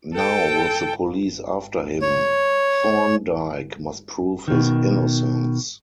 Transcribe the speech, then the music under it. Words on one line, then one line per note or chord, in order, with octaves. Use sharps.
Now with the police after him, Thorndyke must prove his innocence.
A4 G5
C#5
B2 D#3